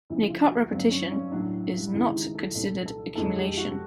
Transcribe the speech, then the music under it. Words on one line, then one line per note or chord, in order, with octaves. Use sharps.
In a cut repetition is not considered accumulation.
D2 C#3 F3 E4
F4
F#4
G2 D3 F#3 C4
C#4
C#4
A2 F#3 D4
D#2 C#3 E3 G#3 E4
D#4
A4
C2 A#2 G3 A4
A4
F2 D3 F3 G#3 A4
G4
F#4